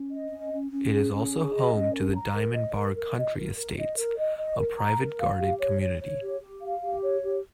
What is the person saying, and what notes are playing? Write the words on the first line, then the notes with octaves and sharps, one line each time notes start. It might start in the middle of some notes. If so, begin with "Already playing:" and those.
It is also home to the Diamond Bar Country Estates, a private guarded community.
Already playing: C#4
D#5
C#4
C#4
C#4
G#4
C#4
G#4
D#5
C#4
A#4
A#5
A#4
D#5
A#4
A#4
D#5
A#4
A#4
D#5
A#4
D#5
D#5
A#4
A#5
A#4
F5
G4
C#5
C#5
C#5
G4
G4
F5
G4
C#5
G4